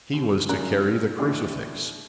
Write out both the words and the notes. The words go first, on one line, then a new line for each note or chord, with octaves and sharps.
He was to carry the crucifix.
D#2
G#1 F#2 C#3 A#4 A#5 F#6
D#2 A2 E3 D4